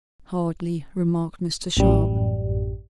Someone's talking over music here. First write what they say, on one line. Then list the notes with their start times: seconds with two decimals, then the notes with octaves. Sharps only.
"Hardly," remarked Mr. Sharp.
1.77 A1 F#2 G3